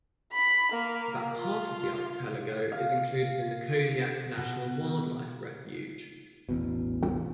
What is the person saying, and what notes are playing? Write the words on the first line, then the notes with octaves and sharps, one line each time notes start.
About half of the archipelago is included in the Kodiak National Wildlife Refuge.
B5
A#3
F4
F5
B2
A1 E2 B2